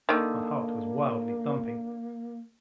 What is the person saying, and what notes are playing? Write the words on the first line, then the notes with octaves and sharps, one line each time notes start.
My heart was wildly thumping.
D3 D#3 A#3